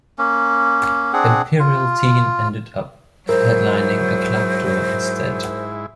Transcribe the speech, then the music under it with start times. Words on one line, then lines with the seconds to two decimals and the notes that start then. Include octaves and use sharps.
Imperial Teen ended up headlining a club tour instead.
0.18 A#3 C#4
1.13 C4 D4 G#4 F#5
1.60 F4
3.29 G#2 F#3 E4 A#4 C5